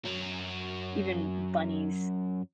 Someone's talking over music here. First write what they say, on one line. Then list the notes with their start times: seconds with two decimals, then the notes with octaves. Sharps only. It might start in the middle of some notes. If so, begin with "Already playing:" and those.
even bunnies.
0.06 F#2 F#3